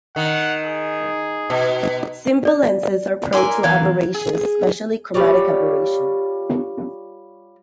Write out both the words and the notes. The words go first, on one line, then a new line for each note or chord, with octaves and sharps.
Simple lenses are prone to aberrations, especially chromatic aberration.
D#3 F#5
G#4
B2
D5
E4 A#4 G#5 C6 D6
E2 F5 G#6
G#4
G3 F4 C#5 D5